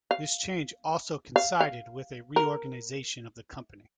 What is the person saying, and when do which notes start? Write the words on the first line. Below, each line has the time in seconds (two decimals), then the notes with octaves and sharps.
This change also coincided with a reorganization of the company.
0.11 F5
1.36 F5
1.60 F5
2.36 A#4